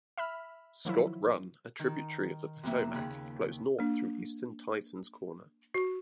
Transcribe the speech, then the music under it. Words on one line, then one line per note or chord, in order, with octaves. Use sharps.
Scott Run, a tributary of the Potomac, flows north through eastern Tysons Corner.
E5 B5 F6
D#3 F3 F#3 E4
D#3
F2 C3 A#3 E5
D#2 C#3 G#4 B5
A#3 D4
F#4